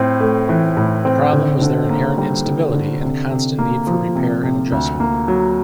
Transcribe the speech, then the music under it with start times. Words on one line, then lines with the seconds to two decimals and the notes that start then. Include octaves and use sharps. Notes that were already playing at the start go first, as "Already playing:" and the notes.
The problem was their inherent instability, and constant need for repair and adjustment.
Already playing: A2 C4
0.20 A3
0.49 E3
0.77 A2
1.05 C4
1.33 D3
1.61 D3
1.90 A#3
2.18 G3
2.46 D3
2.74 D3
3.03 C3
3.31 C3
3.59 A#3
3.87 F3
4.15 C3
4.44 C3
4.72 D2
5.00 A#3
5.28 F#3